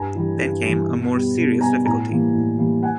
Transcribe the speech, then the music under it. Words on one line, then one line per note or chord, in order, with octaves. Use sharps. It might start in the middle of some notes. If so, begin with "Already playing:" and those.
Then came a more serious difficulty.
Already playing: G2 G#5 A#5
E3 G3
G2
E3 G3
B2
G3 B3
B2
G3 B3 G#5 A#5
A2 G#5 A#5
E3 G3 A#3
A2
E3 G3 A#3
F#5 G#5